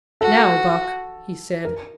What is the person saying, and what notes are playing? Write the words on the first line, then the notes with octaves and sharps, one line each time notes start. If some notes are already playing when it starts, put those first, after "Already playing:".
"Now, Buck," he said.
F#4 A4
A#4